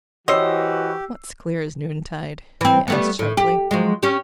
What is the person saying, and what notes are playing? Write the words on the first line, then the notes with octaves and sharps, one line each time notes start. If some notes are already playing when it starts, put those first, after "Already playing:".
"What's clear as noontide?" he asked sharply.
E3 F#4 G4 C5 C#5 D#5 E6 C7
E3 C4
G3 A3 B3
A2
G4
F3 F#3 G#3
C#4 G4